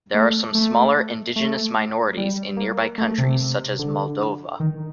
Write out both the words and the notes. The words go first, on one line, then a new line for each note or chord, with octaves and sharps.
There are some smaller indigenous minorities in nearby countries such as Moldova.
A3
A3
A3
G3
A#3
A3
C3
D3
D#3